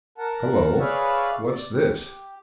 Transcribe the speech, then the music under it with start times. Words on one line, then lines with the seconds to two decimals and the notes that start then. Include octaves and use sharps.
"Hullo, what's this?"
0.18 A#4 F#5 A5
0.79 G#4 B4 C#5 D5 E5 F5
1.48 D5
1.73 G4